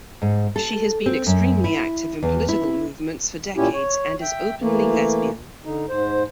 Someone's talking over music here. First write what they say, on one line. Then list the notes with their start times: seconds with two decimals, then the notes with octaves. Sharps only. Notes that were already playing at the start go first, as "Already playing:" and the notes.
She has been extremely active in political movements for decades and is openly lesbian.
0.22 G#2
0.56 A4
1.06 C4
1.27 F#2
1.64 E4
2.23 E2
2.49 E4
3.57 A#2 C#4 E4 G4
3.73 C#5
4.21 E5 G5
4.61 E3 A3 A#3
5.65 D3 D#4
5.89 G#2 C5